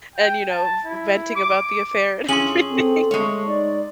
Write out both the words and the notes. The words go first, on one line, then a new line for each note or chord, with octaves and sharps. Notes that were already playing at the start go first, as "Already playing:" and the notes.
and, you know, v venting about the affair and everything.
G5
A5
E4
D6
F2 C#4 E4 G#4 C6 F#7
C4 A4
G#3 A3 C#5
D#4 D5